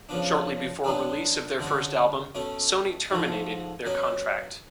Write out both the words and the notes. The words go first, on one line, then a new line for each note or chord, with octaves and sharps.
Shortly before release of their first album, Sony terminated their contract.
C#3 F3 B3 D4
D3 F#3 B3 D4
D3 G#3 C#4
B2 A3 C#4
G#2 F3 A3
B2 F#3 C#4